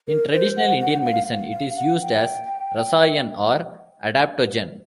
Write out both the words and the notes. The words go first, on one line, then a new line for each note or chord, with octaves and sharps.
In traditional Indian medicine it is used as 'Rasayan' or adaptogen.
A#4
C5
F#5
F#5
F5
F5
F#5
G5